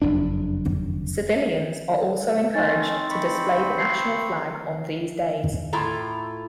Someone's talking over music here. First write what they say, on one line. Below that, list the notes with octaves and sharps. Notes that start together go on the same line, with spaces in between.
Civilians are also encouraged to display the national flag on these days.
F#1 F2 D4
A3 C4 C#4 D#4 D#5 A6
B5 C#6
C7
A2 E4 F4 A4 A#5